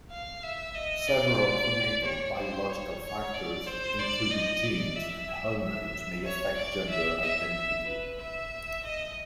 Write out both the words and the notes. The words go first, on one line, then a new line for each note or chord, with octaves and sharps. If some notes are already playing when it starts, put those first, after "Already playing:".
Several prenatal, biological factors, including genes and hormones, may affect gender identity.
F5
E5
D#5
D5
C#5
C5
C#5
C#5
D5
C5
D5
D#5
D5
E5
E5
C#5
D5
E5
E5
E5
B4
E5
D#5